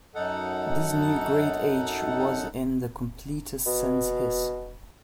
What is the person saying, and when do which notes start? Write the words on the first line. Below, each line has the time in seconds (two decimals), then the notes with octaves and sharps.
This new great age was in the completest sense his.
0.15 F#2 D#4 A4 F#5
3.66 B2